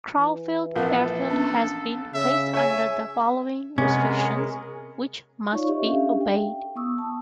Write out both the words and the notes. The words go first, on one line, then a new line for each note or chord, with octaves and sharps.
Crowfield Airfield has been placed under the following restrictions which must be obeyed.
E3
A#1 C4 A4 A#4 F#5
B3 C#4 D4
C#3 E5
C#5 E5 G#5
C3 G#3 B3 C#4 G#4 A#4
D#4 F4 C#5 D5 F5 C#6
G4 D#5 E5
C#4 D4 G4 A4 E5 F5
G5
B3 E4 C#6 D#6 E6
A5